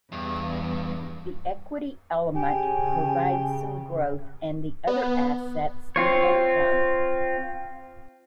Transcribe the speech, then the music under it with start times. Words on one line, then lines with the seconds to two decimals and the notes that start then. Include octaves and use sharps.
The equity element provides some growth and the other assets the income.
0.12 E2 G2
2.35 C#3 G4 G#5
4.87 B3
5.96 C4 F4 C#5